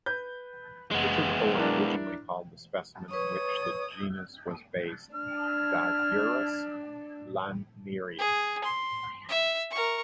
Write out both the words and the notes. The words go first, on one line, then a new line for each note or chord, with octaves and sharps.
Richard Owen originally called the specimen on which the genus was based "Dasyurus laniarus".
B4 G6
F#1 G#3 B3
D4 E4 A#4
B4 C#5 C#6 D#6
D4 F6
G#4
C6
E5
A#4 C#6